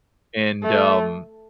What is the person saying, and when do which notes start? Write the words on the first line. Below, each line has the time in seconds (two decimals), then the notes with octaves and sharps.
And, um,
0.63 A3